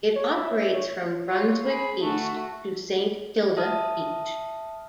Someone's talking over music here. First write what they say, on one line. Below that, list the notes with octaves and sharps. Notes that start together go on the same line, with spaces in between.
It operates from Brunswick East to Saint Kilda Beach.
C#5
E5
C#5
F4 C#5
G#4 B5
A3 F#4
E5 A5 D#6 F6